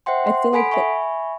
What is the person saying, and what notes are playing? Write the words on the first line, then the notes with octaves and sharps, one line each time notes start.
I feel like the
C5 E5 F#5 G5 C6
C6
A4 F#5 G#5 B5 B6 D7
E5 G#5 B5 C#6